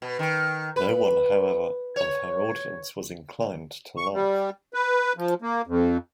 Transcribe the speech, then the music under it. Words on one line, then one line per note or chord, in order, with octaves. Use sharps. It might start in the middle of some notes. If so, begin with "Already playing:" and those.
No one, however, of her audience was inclined to laugh.
B2
D#3
B4
C#5
C#6
G3
B4
F3
A#3
F2